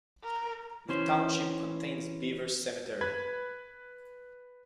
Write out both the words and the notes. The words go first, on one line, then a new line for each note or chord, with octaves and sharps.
The township contains Beaver Cemetery.
A#4
E3 C#4 C5
B4 B5 G#6